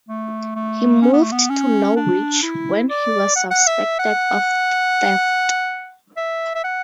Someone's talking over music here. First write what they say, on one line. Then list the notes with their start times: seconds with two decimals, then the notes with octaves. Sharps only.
He moved to Norwich when he was suspected of theft.
0.09 A3
0.55 A3
1.02 C#4
1.13 B3
1.23 A3
1.32 B3
1.50 C#4
1.96 D4
2.43 E4
2.90 D5
3.36 F#5
3.51 F#5
3.67 E5
4.00 F#5
6.17 E5
6.55 E5
6.64 F#5